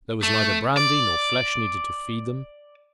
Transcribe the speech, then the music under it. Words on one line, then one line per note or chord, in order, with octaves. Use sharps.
There was neither brandy nor flesh needed to feed them.
A3
D5